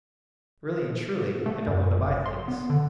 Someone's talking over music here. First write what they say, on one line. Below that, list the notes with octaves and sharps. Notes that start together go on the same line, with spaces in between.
Really and truly, I don't want to buy things.
A3
F#2
G1
C6
B3
D3